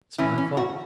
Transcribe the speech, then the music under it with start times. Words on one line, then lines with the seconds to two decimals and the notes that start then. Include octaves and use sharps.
It's my fault.
0.18 E3 C#4 E4
0.38 C#4
0.57 F#4